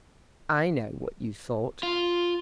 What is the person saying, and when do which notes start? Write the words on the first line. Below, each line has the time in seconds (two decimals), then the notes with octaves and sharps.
"I know what you thought."
1.83 F4